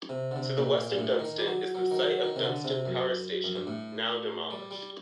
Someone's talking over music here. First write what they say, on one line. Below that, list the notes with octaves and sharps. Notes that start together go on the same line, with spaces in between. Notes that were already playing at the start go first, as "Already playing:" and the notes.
To the west of Dunston is the site of Dunston Power Station, now demolished.
C3
D3
C3
A#2
A#2
G2
A2
D#3
G3
F#3
F#3
D#3
F#3
D#3
C3
D3
C3
F#2
F#2
G2
A2
G3
G3